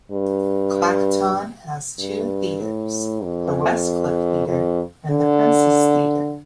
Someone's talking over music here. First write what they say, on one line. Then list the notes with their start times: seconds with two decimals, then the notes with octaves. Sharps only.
Clacton has two theatres, the West Cliff Theatre and the Princes Theatre.
0.11 G2
1.99 G2
2.61 A2
3.24 F2
4.48 F2
5.11 D3